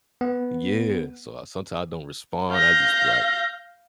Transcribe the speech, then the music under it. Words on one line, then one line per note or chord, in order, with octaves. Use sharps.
Yeah, so I sometimes don't respond, I just be, like,
B3
F5 G6 A#6